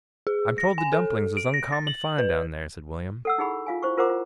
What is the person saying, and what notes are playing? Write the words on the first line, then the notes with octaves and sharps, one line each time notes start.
'I'm told the dumplings is uncommon fine down there,' said William.
G#4
A#6
G#5
A4
D7
A#6
A6
F#7
B4
A4 F#5 E6
D#4 E4 G4 G#4 F#5 B5
F4 F5 G#5
E4 C5 C#6
F4 A#4 C5 F#5 A#5 D6
F4